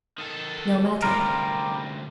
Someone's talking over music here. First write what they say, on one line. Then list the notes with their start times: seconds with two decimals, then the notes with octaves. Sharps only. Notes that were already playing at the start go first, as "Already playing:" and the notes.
"No matter."
0.18 D#3 A4
1.02 D2 C3 G3 F4 A#4